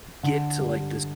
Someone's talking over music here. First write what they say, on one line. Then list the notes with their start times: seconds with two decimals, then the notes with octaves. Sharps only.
get to, like, this
0.23 D3
0.58 G2